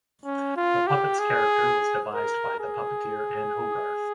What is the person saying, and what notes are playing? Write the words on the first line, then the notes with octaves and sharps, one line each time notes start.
The puppet's character was devised by the puppeteer Ann Hogarth.
C#4
F4
G4
G#4
A#4
G#4